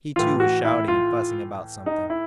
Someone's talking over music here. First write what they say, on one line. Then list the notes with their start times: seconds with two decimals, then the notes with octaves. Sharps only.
He, too, was shouting and fussing about something.
0.16 A2 E3 F4
0.40 F#4
0.65 E4
0.88 F4
1.86 D#4
2.10 E4